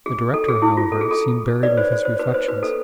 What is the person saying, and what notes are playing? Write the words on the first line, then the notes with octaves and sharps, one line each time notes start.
The director, however, seemed buried with his reflections.
G#4
A4
G#4
E4
F4
A4
G#4
A4
B4 D5
C5
C5
C5
B4
C5
B4
A4